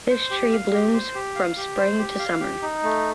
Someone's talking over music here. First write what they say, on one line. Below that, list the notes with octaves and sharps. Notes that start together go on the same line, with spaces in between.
This tree blooms from spring to summer.
C5
G4
F5
G4
C5
G4
F5
G4
C5
G4
F5
G4
D#4
A3